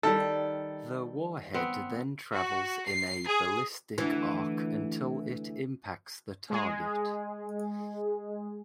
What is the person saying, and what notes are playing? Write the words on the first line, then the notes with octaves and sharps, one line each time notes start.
The warhead then travels in a ballistic arc until it impacts the target.
D#3 G3 A4
B3 C4
F#4
C7
G#4
D2 E3
G#3 G#4